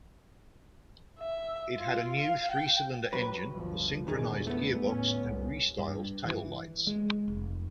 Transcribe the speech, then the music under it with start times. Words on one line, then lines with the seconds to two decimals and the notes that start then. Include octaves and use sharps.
It had a new, three-cylinder engine, a synchronized gearbox and restyled tail lights.
1.20 E5
1.78 F4
2.19 F5
2.51 G5
3.13 F#3 B4
3.52 G1 D2 F3
4.08 E2 A#2 D3 D#3 G#4
4.47 A3 B3
4.84 A2 C#4
5.22 C2 A2
5.79 G2
6.25 E3
6.87 G#3
7.28 F1